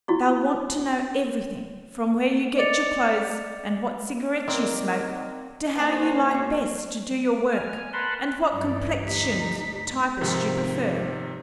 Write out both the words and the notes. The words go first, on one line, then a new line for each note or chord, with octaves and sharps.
They'll want to know everything, from where you get your clothes and what cigarettes you smoke, to how you like best to do your work and what complexioned typist you prefer.
E4 F#4 C#6
D5 D#5 D6 A6 C#7 F7
D#3 A#3 C4 D4 A#4 D5
A#3 B3 D4 F#4 G#4 C5
D4 C#6
G#5 F6
A#4 B4 F#5 A5 B5 C6
G2 E3 D5
D2 D#4 G4 B6
G#2 C3 D#3 F3